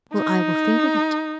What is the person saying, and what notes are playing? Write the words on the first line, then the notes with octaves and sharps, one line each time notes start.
"Well, I will think of it."
D#4